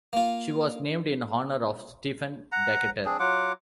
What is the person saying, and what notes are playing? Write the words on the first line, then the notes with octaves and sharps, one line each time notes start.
She was named in honor of Stephen Decatur.
A#3 F4
F#5 A#5
C4 D4 G#4
F#3 F4 F#5 D6